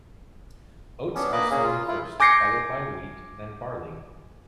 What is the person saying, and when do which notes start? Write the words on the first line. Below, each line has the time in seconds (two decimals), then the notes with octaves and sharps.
Oats are sown first, followed by wheat, then barley.
1.15 B3 C#4 D4
1.32 A#3 B4 D#5 D6 F#6
1.51 A#3 C#4 G#4
1.64 F4
1.88 E4 F4
2.20 G#5 D6 G6 A#6 C7 C#7